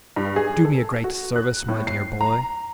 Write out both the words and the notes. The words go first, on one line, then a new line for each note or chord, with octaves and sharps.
Do me a great service, my dear boy.
G2
G#4
A4
F#4
F#6
A2
C7
A#5